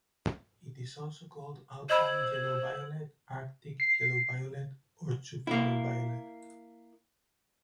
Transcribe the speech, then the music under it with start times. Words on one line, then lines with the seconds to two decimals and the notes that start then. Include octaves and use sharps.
It is also called alpine yellow-violet, arctic yellow violet, or twoflower violet.
1.90 C5 D#5 B5 E6 G#6 F#7
3.80 C7
5.47 A#3 E4